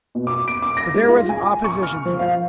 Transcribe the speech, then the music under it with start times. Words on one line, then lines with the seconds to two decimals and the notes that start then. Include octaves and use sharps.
But there was an opposition here.
0.15 B2
0.27 D6
0.48 D7
0.62 D6
0.77 A#6
0.94 G#3
1.09 F4
1.29 G#5
1.64 C#6
1.83 F6
2.05 F3
2.19 F5